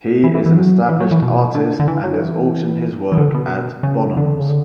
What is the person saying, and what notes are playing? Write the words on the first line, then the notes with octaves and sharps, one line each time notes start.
He is an established artist and has auctioned his work at Bonhams.
E3
E3
E3
F#3
E3
F#3
E3
B2
D3
D3
E3
F#3
D3
E3
E3
D3
B2
C#3
D3
C#3
D3